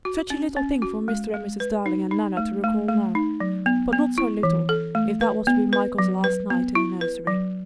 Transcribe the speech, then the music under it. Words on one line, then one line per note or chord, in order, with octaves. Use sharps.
Such a little thing for Mr. and Mrs. Darling and Nana to recall now, but not so little if that was to be Michael's last night in the nursery.
F#4
C#4
C#4
F#4
G#3
G#3
B4
D#4
D#4
A3
A3
A3
D#4
F#3
B3
B3
E4
E3
A4
A3
B4
B3
B4
F#3
B4
B3
E4
B4
F#3